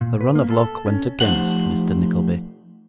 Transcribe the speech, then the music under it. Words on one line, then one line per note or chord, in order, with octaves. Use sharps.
The run of luck went against Mr Nickleby.
A#2
B4
A#3
A4
C#4
F3 A3 D#4 G4 C5 F#5